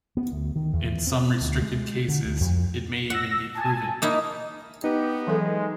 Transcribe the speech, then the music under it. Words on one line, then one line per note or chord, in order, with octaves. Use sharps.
In some restricted cases, it may even be proven.
B3
D2
D#3
E2
C4
D2
G#3
D3
D2
F2
F#5 E6 A#6
G#5 A5
A#3 D#4 E4 D#6
B3 D#4 G4
E3 F#3 G#3 A4